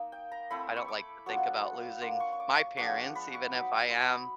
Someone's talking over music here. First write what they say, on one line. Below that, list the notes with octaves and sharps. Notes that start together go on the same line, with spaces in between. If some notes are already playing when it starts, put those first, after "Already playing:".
I don't like to think about losing my parents even if I am
Already playing: A#3 D#4
G5
A#5
A3 C4 E4 B5
C#6
D6
F#3 B3 D4 F4 C#6
A#3 D4 F4 C6
C#6
C#6
D6
C#6
F3 G#3 B3 D4 C#6
B5
C#6
F#3 B3 D#4 D6
C#6
C6
B5